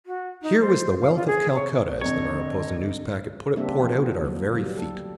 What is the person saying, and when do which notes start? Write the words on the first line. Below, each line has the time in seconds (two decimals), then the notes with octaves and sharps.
Here was the wealth of Calcutta, as the Mariposa Newspacket put it, poured out at our very feet.
0.06 F#4
0.42 D#4
0.61 C5
1.01 F5
1.15 F4
1.27 G#4
1.55 C#5
2.01 G#1 F2 D3 C#5 D#5
3.56 C#3 G3 A#3 C4 D4 E5
3.81 E3 F3 F#4
4.23 D3 F#3 A#3
4.53 D3 F#3 G3
4.77 A4